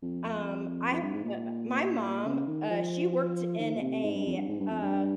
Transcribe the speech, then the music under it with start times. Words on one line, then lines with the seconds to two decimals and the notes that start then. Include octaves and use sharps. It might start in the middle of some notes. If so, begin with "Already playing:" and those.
Um, I ha uh, my mom, uh, she worked in a, uh
0.02 F2
0.24 F2
0.91 F2
1.02 G2
1.13 G#2
1.24 A#2
2.26 C#3
2.47 D#3
2.70 F3
3.59 D#3
3.75 A#2
3.81 C3
4.04 G#2
4.15 G2
4.26 F2
4.37 G2
4.48 G#2
4.59 G2
4.70 F2
4.82 G2